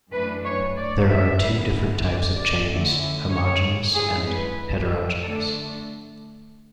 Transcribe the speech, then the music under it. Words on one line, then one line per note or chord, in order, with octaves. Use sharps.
There are two different types of chains: homogeneous and heterogeneous.
F#2 E3 A3 D4 B4
C#5
D5
E5
D3 G#3 B3 E4
D5
D5
D2 D3 A3 C#4 E4
C#5
D3 G#3 C#4 E4 G#4
B4
D3 A3 D4 A4